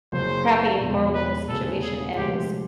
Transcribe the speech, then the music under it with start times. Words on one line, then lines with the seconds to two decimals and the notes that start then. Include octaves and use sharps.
crappy and horrible this situation is,
0.12 F#1 F#2 C#3 C5
0.80 E1 E2 C#3 F3 G#3
1.14 B4
1.48 E1 D2 C#3 A4
1.82 G#4
2.15 D2 C3 F3 G#3 G4